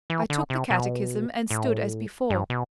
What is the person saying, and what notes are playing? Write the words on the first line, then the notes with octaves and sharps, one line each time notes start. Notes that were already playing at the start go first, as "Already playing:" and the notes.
I took the catechism, and stood as before.
E3
D3
C3
B2
A2
G2
B2